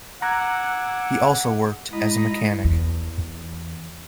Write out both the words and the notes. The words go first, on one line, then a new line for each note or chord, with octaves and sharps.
He also worked as a mechanic.
F#5 G#5 A#5 D6 E6 F#6 G#6
G#3 E4 D#5 A#5 B5
E2